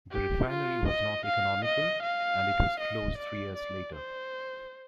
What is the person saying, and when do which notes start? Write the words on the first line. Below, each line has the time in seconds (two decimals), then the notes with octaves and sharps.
The refinery was not economical, and it was closed three years later.
0.11 G4
0.50 F4
0.88 D#5
1.26 F5
1.65 D#5
2.03 F5
2.80 D#5
3.18 D5
3.56 D5
3.95 C5